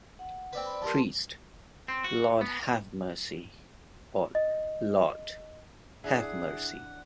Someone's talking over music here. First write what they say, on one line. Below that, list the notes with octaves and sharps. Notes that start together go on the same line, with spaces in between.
Priest: Lord, have mercy. All: Lord, have mercy.
F#5
C4 D4 B4
D5 B5
E2 G3 A#4 A5 C6
C4
F#4
B3
D#5
E3 D4 E4 G#4 F#5 G#5